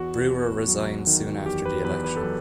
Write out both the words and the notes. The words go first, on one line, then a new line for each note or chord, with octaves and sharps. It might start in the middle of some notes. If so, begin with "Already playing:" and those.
Brewer resigned soon after the election.
Already playing: E2 F#4
E2
F#3
D#3
E2 G4
B4
E2 B4
B4
A4
F#3 B4